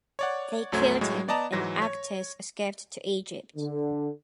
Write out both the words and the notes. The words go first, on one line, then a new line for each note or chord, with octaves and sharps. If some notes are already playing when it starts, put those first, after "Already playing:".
They killed him and Actis escaped to Egypt.
C#5 D5 F#5
C2 F#2 F#3 A3 C5 G#6
A2 F#3 G#3
B3 D5 D#5 A5 A#5
G#2 E3 F#3 A#6
C#5
D3